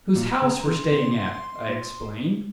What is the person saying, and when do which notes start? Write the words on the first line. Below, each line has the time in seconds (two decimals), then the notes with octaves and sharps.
"Whose house we're staying at," I explained.
0.16 A#2
0.41 C#3 A#5
0.66 E3 C6
0.91 C3
1.68 A#2